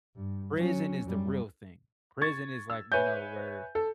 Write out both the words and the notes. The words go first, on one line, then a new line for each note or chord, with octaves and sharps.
prison is the real thing. Prison is, like, you know, where,
G2
F#3 C#4
F#2 G3
C#6 G#6 A6
E6
B4 C#5 E5 G#5 G6
A4